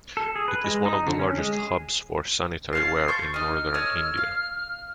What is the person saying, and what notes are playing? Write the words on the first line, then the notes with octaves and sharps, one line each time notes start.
It is one of the largest hubs for sanitary ware in Northern India.
A4
G#4
B4
G#3
D#4
D3
C#4
G#3
G#4
C#4 F5 A5 C7
A4 C#6 G6
D#4 D#5 F6
A4 C#5 D#5
F5